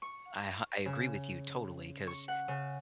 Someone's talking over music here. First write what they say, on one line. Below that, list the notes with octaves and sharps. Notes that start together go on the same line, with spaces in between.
I h I agree with you totally 'cause,
C#6
C#3
C#6
F#5
C#3